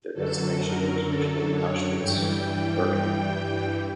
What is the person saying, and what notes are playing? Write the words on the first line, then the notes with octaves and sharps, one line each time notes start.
Their destination was usually Auschwitz-Birkenau.
F#2 D3 F#3 A4
A#4
A4
C#5
G2 E3 G3 G5